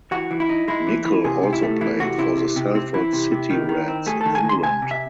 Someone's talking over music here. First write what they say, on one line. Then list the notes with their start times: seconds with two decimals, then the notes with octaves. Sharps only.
Nicol also played for the Salford City Reds in England.
0.11 E3 F#4
0.31 E3
0.40 E4
0.49 D#4
0.68 G#3 E4
0.87 E3
1.05 E3
1.24 C3 G#4
1.43 C3
1.53 E4
1.62 A3
1.81 E3 E4
2.00 C3 F#4
2.18 C3 E4
2.37 C3
2.56 C3
2.75 C4
2.94 E3 E4
3.13 C3
3.32 C3
3.50 D#3
3.69 D#3
3.88 C4
4.06 A3 G#4
4.21 D#3 A4
4.35 G#5
4.44 D#3 C6
4.63 C3 G#5
4.82 C3
4.91 E5